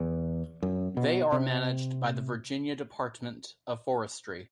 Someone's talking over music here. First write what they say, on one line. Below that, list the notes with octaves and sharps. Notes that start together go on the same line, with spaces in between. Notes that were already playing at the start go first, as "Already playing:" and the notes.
They are managed by the Virginia Department of Forestry.
Already playing: E2
F#2
B2
C3